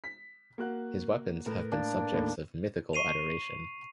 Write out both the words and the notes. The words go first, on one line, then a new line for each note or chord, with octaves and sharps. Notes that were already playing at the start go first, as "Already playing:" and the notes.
His weapons have been subjects of mythical adoration.
B6
A#3 F#4 F#6
A2 A#4 B4
A#3 D4
D#2 A2
C#6 C7 D#7 F7